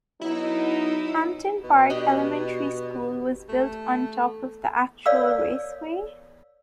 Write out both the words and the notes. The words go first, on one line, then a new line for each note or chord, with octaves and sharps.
Hampton Park Elementary School was built on top of the actual raceway.
F#3 B3 D#4 E4
B2
D4 G4 D#5
A3
A#4 C#5 D5 F5 D#6 E6